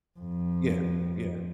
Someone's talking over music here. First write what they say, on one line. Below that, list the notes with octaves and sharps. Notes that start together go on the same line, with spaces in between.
Yeah. Yeah.
F2